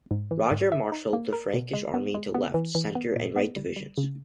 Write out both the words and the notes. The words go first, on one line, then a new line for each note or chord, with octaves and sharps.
Roger marshalled the Frankish army into left, center and right divisions.
G#2
E3
G#2
E5
D#4
A#3
A#4
B2
G#3
B3
G#3
B3
E3
E3
B3
A#2
B3
G3
G3
C#3